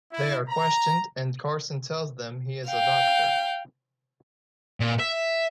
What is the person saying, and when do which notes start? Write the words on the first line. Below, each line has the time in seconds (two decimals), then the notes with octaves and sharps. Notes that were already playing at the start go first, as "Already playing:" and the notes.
They are questioned and Carson tells them he is a doctor.
0.12 E4
0.48 A#5
2.68 F5 G5
4.80 A#2
4.99 E5